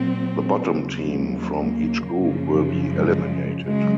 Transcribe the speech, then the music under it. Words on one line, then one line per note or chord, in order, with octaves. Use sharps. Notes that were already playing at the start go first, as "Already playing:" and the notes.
The bottom team from each group will be eliminated.
Already playing: A#2 F#3 C4
D#2 C#3 F#3
A#3
F#2 C#3 F3
G#3
C#3 F#3 G#3